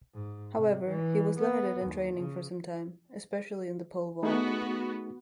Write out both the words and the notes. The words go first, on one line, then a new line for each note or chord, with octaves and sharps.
However, he was limited in training for some time, especially in the pole vault.
G#2
C3
E3
B3
D#2
C#3
A3 B3 D#4 F#4 G#4